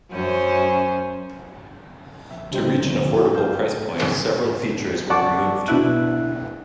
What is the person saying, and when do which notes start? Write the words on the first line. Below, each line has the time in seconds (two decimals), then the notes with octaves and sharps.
To reach an affordable price point, several features were removed.
0.11 F#2 C#4 C5
2.31 A#1 E5
2.52 C#2 D#3 G3 D#4 C5 G5
2.86 D2 F3 C#4
3.14 F#4 G4 D5
3.35 F#2 F5 E6 G6
5.10 D5 F#5 A5 C#6 D6
5.68 B2 D4 E4 E5 F#6